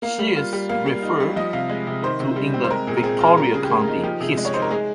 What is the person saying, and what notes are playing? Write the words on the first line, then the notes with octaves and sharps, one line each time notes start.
She is referred to in the "Victoria County History".
A#3 F5
G3
F4
G3
A#3 F5
G3
D#4
G3
F3 D#5
C3 F5
G#3
C3
D#3 C5
C3
G3
C4
C5
G#3 A#4
A#2 G#4
A#4
C4 G#4
F4
G#4
G3 A#4
C#3 G#4
G4
A#3 G#4
D#4
F3 G4
C3 G#4
G#3
C#5
D#4 C5
A#4
G#3 G#4